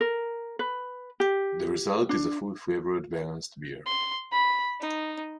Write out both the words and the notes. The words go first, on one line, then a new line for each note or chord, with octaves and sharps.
The result is a full flavoured balanced beer.
A#4
B4
G4
D4
C6
B5
D#4